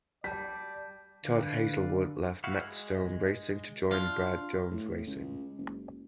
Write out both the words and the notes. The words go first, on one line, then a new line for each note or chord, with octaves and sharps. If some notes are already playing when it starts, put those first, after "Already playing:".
Todd Hazelwood left Matt Stone Racing to join Brad Jones Racing.
G3 D5 A5 G6 B6
D3 B4 D5 F5
E4 F#4 F5
G#3
D4 F4
A2
C#2
F#1